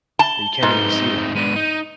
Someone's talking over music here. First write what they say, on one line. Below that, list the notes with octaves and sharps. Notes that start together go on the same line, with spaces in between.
that you can't even see them.
A5 G7
G#2 D#4 A4 B4
A3 C4 D#4
G#3 B3 D4 D#7
D#4